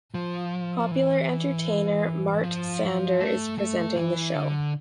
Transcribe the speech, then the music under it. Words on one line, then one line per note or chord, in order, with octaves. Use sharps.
Popular entertainer Mart Sander is presenting the show.
F3
E3
F3
A3
A3
E3
D3